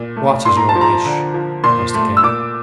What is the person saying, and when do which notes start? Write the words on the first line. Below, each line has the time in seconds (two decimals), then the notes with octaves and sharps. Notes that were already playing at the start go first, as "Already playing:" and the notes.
'What is your wish?' asked the King.
Already playing: A#2
0.16 A3
0.45 A#2 C6
0.57 A#5
0.69 A5
0.76 F3
0.81 A#5
1.05 D3
1.34 F3
1.64 A#2 C6
1.94 A3
2.17 E6
2.23 A#2 D6